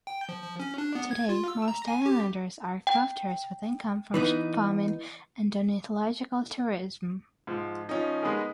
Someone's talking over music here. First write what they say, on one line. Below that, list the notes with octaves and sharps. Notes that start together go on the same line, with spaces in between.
Today, most islanders are crofters with income from sheep farming and ornithological tourism.
G5
F3
F3
C#4
D4
B3
G#6
F4
E6
A#5
G#5
G4
G5
E3 B3 D#4
G#2 F3
F3 C#4 D#4
G#3 B3 D#4 G#4 A#4